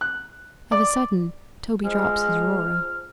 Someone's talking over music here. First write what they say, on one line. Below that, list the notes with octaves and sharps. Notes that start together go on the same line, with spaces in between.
Of a sudden Toby drops his Aurora.
F#6
D5
G#2 F3 G#3 F6